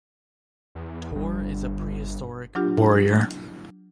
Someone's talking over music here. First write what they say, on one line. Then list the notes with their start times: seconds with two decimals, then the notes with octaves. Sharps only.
Tor is a prehistoric warrior.
0.75 E2
1.16 G1 G2
2.55 F#3 D4 F4 G4